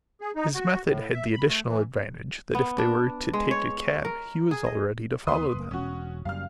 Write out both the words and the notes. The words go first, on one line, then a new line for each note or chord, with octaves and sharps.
His method had the additional advantage that if they were to take a cab he was all ready to follow them.
G#4
D#4
F#4
A2
E5
B5
A3
E3
B3
D4
G#3
C#5
A#4
G#4
D#5
D#2 B3 B4 C6 D#6
F#1 A#3
E1 C#4 F#4
F#1 F#2 G3 F5 F6